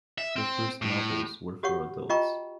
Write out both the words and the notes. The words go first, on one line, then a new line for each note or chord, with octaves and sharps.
Her first novels were for adults.
E5
C4
A2
F#4 G4 C#5 F#5 C#6
F4 D#5 G5 A#5 C#6